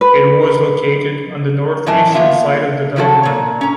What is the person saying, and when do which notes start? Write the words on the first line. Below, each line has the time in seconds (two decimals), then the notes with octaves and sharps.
It was located on the north-eastern side of The Diamond.
0.01 B4
1.86 A2 E3 A#4 D#5 G#5 A5
2.14 A#3 B3 F4 E5
2.96 D#3 F3 F#3 F#4 A4
3.23 A#2 C#5
3.61 C#4 A#5